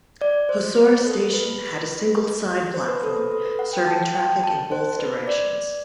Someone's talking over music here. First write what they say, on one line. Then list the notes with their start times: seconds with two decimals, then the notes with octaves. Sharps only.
Hosoura Station had a single side platform serving traffic in both directions.
0.21 D5
0.49 C5
0.78 B4
1.06 A4
1.34 B4
2.74 C5
2.88 B4
3.03 A4
3.17 B4
3.31 A4
3.45 B4
3.59 F#5
3.73 G5
3.87 A5
4.15 G5
4.44 A5
4.72 C5
4.99 B4
5.27 D5